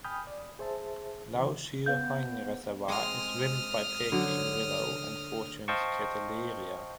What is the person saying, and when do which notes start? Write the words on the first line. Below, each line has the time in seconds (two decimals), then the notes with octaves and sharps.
Lau Shui Heung Reservoir is rimmed by Peking willow and Fortune's keteleeria.
0.04 G5 G#5 B5 D#6 F6 G6
0.27 D5
0.59 G#4 C5 E5 A5
1.34 C#3 E3
1.86 B3 B4 F5 G6
2.88 G#3 C4 D#6 F6
4.12 D3 F#3
5.68 C5 D#5 F5 G5 A5 C#6